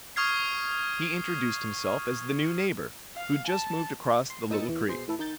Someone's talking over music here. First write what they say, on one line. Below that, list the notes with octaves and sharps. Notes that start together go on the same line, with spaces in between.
He introduced himself as the new neighbor who just moved across the little creek.
C#6 D#6 F6 G#6 C7
F5
A5
C6
A#2 D#4 D#6 E6 A6 C#7
E2 E3
B2 G#4 C5 C7
A2 E3 E4 A4
D#3 D#4 G6 A6